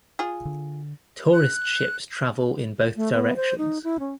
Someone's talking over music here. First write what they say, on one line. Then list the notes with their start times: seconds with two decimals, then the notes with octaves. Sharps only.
Tourist ships travel in both directions.
0.19 F4 G#4
0.45 D3
1.34 F#6
2.96 A3
3.13 B3
3.36 C5
3.58 D#4
3.84 E4
4.00 C#4